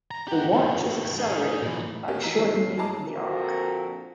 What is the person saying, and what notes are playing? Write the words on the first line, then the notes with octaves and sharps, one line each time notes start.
The Watch is accelerated by shortening the arc.
A#5
G4 F#5
D#3 A3
D#4 G#4
A#2 E3
A3
B3 C#4 F#4 G4 A#4
E3 D#4 A#5 E6 B6 C7
B2 D#3 G#3 A3 C4
G2 C7
E4 G#4 D#5 A5 A#5 D6
A#2 D3 F3 C4 F#4 A#4